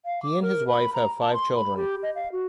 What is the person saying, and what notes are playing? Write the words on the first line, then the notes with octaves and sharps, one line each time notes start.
He and his wife have five children.
F5
D6
A#4
B5
A#5
A5
C6
B5
G4
D#5
F5
F#4